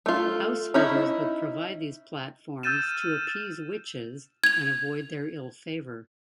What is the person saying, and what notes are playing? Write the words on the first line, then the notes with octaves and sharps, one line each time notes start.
Householders would provide these platforms to appease witches and avoid their ill favour.
A3 F4
C#4 D#4 E4
E6 F6 G6 A6 D#7 E7
G#6 F7